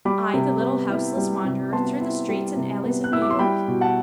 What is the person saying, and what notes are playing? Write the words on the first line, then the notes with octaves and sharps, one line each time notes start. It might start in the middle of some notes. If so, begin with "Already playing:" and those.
I, the little houseless wanderer through the streets and alleys of New York?
G3 B5 D6
C3
B3
E4
G3
C3
B3 A5 C6
E4
G3
C3
B3
F#6
E4 E6
D6
C6
G3 G5 B5
B2
F#5 A5